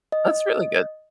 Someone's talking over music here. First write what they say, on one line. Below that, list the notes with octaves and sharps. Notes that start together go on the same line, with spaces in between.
That's really good.
D#5